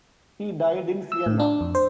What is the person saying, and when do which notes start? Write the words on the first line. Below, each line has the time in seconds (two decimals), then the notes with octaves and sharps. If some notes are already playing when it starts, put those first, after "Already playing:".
He died in Siena.
1.12 E6
1.26 A2
1.40 D4
1.61 F2
1.75 C5